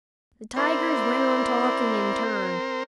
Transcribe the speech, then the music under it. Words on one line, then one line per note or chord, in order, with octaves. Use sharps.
The tigers went on talking in turn.
C4 E4 A#4 C5 D5